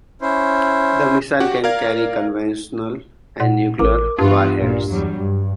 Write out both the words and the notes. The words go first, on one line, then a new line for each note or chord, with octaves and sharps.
The missile can carry conventional and nuclear warheads.
C#4 E4 C5
F#4 G4 F#5
A#4 D5 F5 G#6
A#2 F#5
A1 A#4 D6
G2 E3 B3 D4 F4 G4
A#1 A#2
E2 F#3 G3
G2